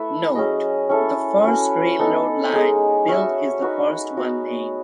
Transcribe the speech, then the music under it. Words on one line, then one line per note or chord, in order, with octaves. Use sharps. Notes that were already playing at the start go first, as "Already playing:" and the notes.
Note: The first railroad line built is the first one named.
Already playing: A3 E4 A4 B4 E5
F#3 C#4 G#4 D#5
C#4 E4 A4
C#4 F#4 B4
B3 D#4 A4
G#3 D#4 G#4
C#4 F#4 C#5 E5
D#4 F#4 B4
B3 D#4 F#4